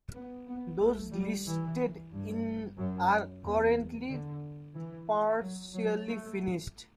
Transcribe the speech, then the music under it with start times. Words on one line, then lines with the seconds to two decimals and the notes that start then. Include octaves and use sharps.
Those listed in are currently partially finished.
0.15 B3
0.47 B3
0.80 A3
1.12 G3
1.46 E3
2.12 G2
2.78 F#2
3.44 E2
4.09 D3
4.75 E3
5.41 F#3
5.73 F#3
6.06 A3